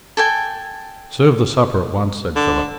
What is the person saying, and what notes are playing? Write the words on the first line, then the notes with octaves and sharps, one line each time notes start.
"Serve the supper at once," said Philip.
A4 G5 G#5
D3